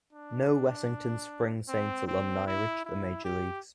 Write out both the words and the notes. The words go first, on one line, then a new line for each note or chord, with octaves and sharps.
No Wessington Springs Saints alumni reached the major leagues.
D4
C4
C4
E4
E4
G4